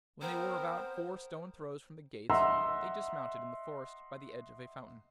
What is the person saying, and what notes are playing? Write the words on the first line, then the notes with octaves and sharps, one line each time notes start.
When they were about four stone-throws from the gates they dismounted in the forest, by the edge of a fountain.
B3 C4 A#4 C5
D#5 E5 F#5 A#5 C6 E6